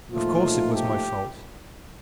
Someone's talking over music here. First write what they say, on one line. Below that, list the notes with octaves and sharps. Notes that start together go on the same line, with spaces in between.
Of course it was my fault.
A#2 F3 A3 D#4 F4
G4